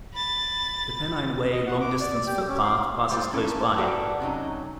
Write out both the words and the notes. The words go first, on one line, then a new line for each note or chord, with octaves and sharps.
The Pennine Way long distance footpath passes close by.
B5 A6
D#5
F#5
D6
D5
G4
C#4
F5
G3 F4 C5
E3 A#3 C#4 E4 A4
A#3 F#4 G4 A4 B4 D5
C3 F#3 C#4 D#4